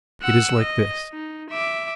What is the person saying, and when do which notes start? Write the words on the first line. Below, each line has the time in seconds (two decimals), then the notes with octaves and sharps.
It is like this.
0.22 F#5 E6
0.60 D#5
1.13 D#4
1.50 E5 D6